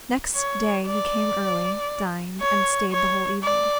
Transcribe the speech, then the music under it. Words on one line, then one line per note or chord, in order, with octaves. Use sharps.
Next day he came early, dined, and stayed the whole evening.
C#5
D5
C#5
C#5
D5